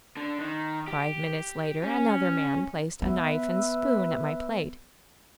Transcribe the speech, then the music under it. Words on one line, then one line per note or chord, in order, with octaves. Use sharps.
Five minutes later another man placed a knife and spoon at my plate.
D3
D#3
G4
C#4
B3 B4 E5